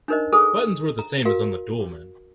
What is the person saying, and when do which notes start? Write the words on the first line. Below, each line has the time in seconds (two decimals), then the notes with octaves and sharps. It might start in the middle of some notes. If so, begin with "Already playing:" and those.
Buttons were the same as on the dolman.
0.08 D4 D#4 A#4 C5 D#5
0.32 G#4 A4 C5 G#5 D#6
0.99 A#5
1.25 F#4 A#4 F5